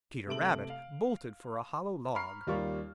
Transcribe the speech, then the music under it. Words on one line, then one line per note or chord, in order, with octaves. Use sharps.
Peter Rabbit bolted for a hollow log.
C3 A3 E5 D7 F#7
F5
A#5 B5 C#6 F6 C7
D#2 G3 F4 A#4 C#6